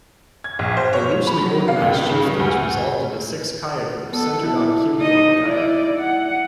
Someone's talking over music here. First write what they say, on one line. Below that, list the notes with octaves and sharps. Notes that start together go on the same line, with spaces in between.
The loosely organized chiefdoms resolved into six Gaya groups, centered on Geumgwan Gaya.
G#6
A#1
C5
C#5
F7
B5
F#3
F5
C#2
C#3
G2
D2
B3 A4
E4
D#4 D#5
E4 D5
F#5